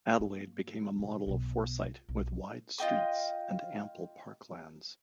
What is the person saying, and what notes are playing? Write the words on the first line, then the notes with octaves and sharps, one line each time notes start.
Adelaide became a model of foresight with wide streets and ample parklands.
G2 A#3
A#2 C#3
B1 B2
F4
B1
F4 D#5 G5 D#6